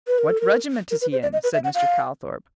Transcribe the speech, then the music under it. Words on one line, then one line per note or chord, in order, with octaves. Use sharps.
"What regiment is he in?" said Mr. Calthorp.
B4
A#4
A4
A#4
A#4
B4
C5
D5
D#5
B4
E5
F#5
F5